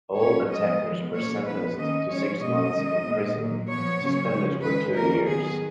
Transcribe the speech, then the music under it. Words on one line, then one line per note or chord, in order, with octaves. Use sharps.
All attackers were sentenced to six months in prison, suspended for two years.
A#2 F#3 C#4 C#5
F3 G#3 B3 D#5
F3 B3
A#2 F#3 A#3 C#4 C#5
F3 B3 B4
D#3 A#3 C#4 D#5
F3 G#3 C#4 C#5
B2 A#3 C#4 D#5
D#3 G#3 C#4
A#2 G#3 B3
A#2 F#3 A#3
F3 B3 C#5
C#3 F#3 A#3 C#4
C#3 F3 G#3 C#4
D#3 G#3 C#4 B4
D#3 A#3 C#4 A#4
D#3 F#3 B3 G#4